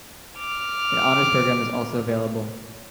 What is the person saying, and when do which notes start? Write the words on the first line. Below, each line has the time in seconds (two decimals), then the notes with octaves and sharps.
An Honors Program is also available.
0.38 D6 F6